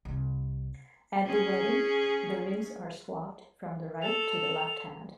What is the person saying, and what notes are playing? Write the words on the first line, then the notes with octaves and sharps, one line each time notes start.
At the wedding, the rings are swapped from the right to the left hand.
C2
C#4 G#4
A4 F7